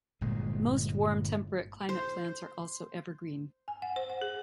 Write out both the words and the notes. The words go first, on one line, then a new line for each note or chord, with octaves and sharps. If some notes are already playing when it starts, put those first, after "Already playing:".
Most warm temperate climate plants are also evergreen.
G1 A#2 G#3
C5
G#5
F#5
C5
F#5
G#4